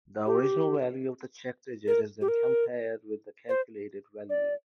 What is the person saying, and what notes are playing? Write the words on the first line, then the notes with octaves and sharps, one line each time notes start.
The original value of the check digit is then compared with the calculated value.
G4
A#4
G4
A#4
C5
D5